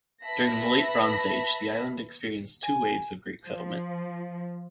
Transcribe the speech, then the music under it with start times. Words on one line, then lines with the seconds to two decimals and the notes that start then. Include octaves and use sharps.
During the late Bronze Age the island experienced two waves of Greek settlement.
0.23 B4 E5 A5 B5 A#6
2.63 G#5
3.45 F3